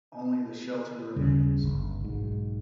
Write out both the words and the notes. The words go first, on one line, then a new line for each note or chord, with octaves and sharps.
Only the shelter remains.
D#2 C#3 G3
G1
B1 G#2